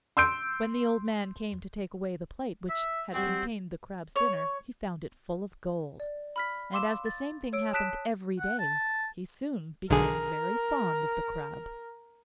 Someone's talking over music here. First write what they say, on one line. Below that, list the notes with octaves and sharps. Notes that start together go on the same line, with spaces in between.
When the old man came to take away the plate which had contained the Crab's dinner, he found it full of gold, and as the same thing happened every day he soon became very fond of the Crab.
C6 E6 G6 D7
E5
G3 C4 F#4 G5
C#5
D5
B5 F6 B6
F5 C6 D6 E6 E7
A6
C#5 E6 D7
A5 D#6 F#6 B6 D7 E7
F#5
A5
B1 D3 G#4 A#4